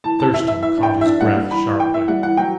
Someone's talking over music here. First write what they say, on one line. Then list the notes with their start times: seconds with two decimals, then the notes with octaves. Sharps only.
Thurston caught his breath sharply.
0.04 E3 A5
0.19 E3 A5
0.34 E3 E5
0.48 E3 E5
0.63 E3 E5
0.77 D4
0.83 G5
0.93 E3
1.01 D4 E5
1.21 G3 F#5
1.36 G3
1.50 E3 B5
1.65 E3
1.79 E3 G5
1.94 E3 E5
2.08 G3 F#5
2.23 E3 F#5
2.37 F#3 G5